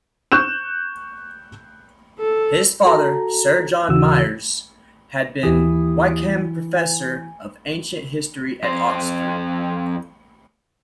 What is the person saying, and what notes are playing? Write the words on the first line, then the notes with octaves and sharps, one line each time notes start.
His father Sir John Myres had been Wykeham Professor of Ancient History at Oxford.
C#6 F#6 G6 E7
A4
F#4 A4 A#5
D#2 C#3 E3 F#4 E6
D#2 E3 G4 D#6
G#5
F2 C5